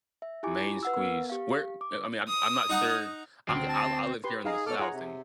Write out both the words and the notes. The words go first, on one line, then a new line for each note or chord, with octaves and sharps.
Main squeeze, where I mean, I'm I'm not sure, I'm I I live here in the south and,
E5
E4 F4 G4 G#5 D6
B4 F#5 E6
B3 A#4
G4 F5
D6
D#6
D#4 F#5 A#5
D2 C4
A5
G4 B4 C6
D#4 G#4 F5 A#5
B2 A4 C#5 D6 F6
F4 G#4 F#5 A#5
C3